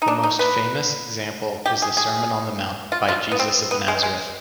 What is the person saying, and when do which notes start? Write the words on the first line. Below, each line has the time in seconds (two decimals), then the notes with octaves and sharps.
The most famous example is the Sermon on the Mount by Jesus of Nazareth.
0.02 D#4
0.08 D4
0.23 D#4
0.39 B4
1.66 G4
1.82 G#4
1.97 G#4
2.92 F4
3.08 F4
3.31 B3
3.39 C4
3.71 B3
3.88 G#3
4.03 G#3